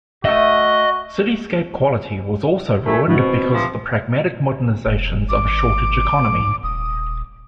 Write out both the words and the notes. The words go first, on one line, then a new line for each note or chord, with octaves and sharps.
Cityscape quality was also ruined because of the pragmatic modernizations of a shortage-economy.
A3 F#4 D#5 E5
A3 A#4 G#5 B5
G#2 B2 D3 E4
C4
G2 E3 F3
F1
G#1 D6
G#2
D#1 D#6